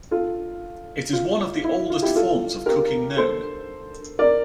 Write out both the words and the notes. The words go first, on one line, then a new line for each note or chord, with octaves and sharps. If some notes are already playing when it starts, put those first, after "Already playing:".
It is one of the oldest forms of cooking known.
F4 A4
F4
E4
F4
E4 G4
F4 A4
G4 A#4
A4 C5
A#4 D5